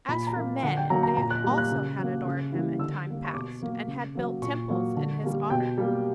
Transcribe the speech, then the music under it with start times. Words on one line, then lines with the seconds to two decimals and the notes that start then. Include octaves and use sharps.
As for men, they also had adored him in time past, and had built temples in his honor.
0.08 A#2 B5
0.27 A#5
0.36 A#3
0.63 D3 F#5
0.77 G5
0.90 F#3 A#3 A#5
1.03 A#5
1.17 A#2 A#5
1.30 F#6
1.44 G3 A#3
1.58 F#6
1.72 C#3
1.99 F#3 A#3
2.25 C#3
2.52 E3 G3 A#3
2.79 D3 E6
3.06 G3 A#3
3.25 C#6
3.34 B2 D6
3.61 F#3 A#3
3.88 C#3
4.15 F#3 A#3
4.42 A#2 C#6
4.69 F#3 A#3
4.96 D3
5.24 G3 A#3
5.50 B2 G5
5.78 G3 A#3